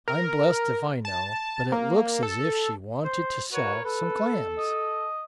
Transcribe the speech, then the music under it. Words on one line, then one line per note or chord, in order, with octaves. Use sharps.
"I'm blessed if I know, but it looks as if she wanted to sell some clams."
A#4
A5
A#3
A4
C5
F#4 A#4 B4 C#5
A4 B4
D#5